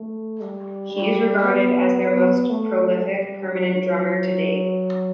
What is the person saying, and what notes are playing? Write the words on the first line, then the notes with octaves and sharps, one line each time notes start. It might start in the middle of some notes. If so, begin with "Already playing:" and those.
He is regarded as their most prolific 'permanent' drummer to date.
Already playing: A3
G3
G3
B3
B3
A3
G3
F#3